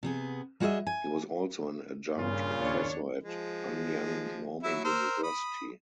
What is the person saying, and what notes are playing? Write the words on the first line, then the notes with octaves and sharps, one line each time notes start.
He was also an adjunct professor at Anyang Normal University.
C3 B3 G#4
G3 F#4 G#4 C5 D#5 E5
G#5
G2 A#2 C#3 F4
D#2 D4 C#5
F3 G#3
F#3 E4 E5
A#4 C5 E6
B5 D#6